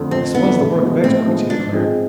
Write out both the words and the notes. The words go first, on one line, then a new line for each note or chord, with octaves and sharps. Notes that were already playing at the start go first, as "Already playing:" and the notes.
"This was the work of experts," he declared.
Already playing: F2 D3 A3
F2 C4
D3 A3 B3
A2
F3 G#3 B3
A2 C4
F3 G#3 B3
G#2 D4
F3 G#3 C4 G#4